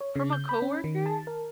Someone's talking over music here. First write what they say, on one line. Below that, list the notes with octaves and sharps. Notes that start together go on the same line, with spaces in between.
From a coworker?
C#5
C#3
G6
B5
C#4
D#3
A5
A#4